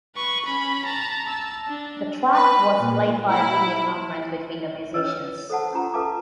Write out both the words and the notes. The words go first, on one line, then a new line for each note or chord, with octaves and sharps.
The track was played via video conference between the musicians.
B4 C#6
C#4 B5
A5 A#5
A5 E6
D4
B4
A#2
E4
C#4 B4 C#5 D#5 E6
A4 C5 F#5 A5
C#4 E4 F4 G4 A#5
E4 A4 B4 F5 A5 D6